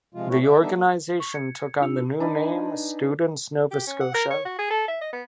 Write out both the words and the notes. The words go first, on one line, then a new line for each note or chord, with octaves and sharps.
The organization took on the new name, Students Nova Scotia.
C3 F3 G#3 F4
C3 A3 E4 F#4 G4 C#5
D5 E5
G3 B3 D4 D#4 A4 E5
A#3
C#6
G#6 C#7
D4 F4 E6 C#7 F7
D4 D#4 B4 G#5
G4
C#4
F#5
A#4
C#5
F#4
G#4
A4
E5
D#5
B3